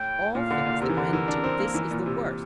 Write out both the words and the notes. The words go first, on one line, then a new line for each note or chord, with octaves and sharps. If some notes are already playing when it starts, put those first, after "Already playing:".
Of all things that men do this is the worst.
Already playing: A2 G5
A#2 F5
D3
A#2
C3 A#4
E3
D3
E3
D4
C4
A#3
E3
A#2
C3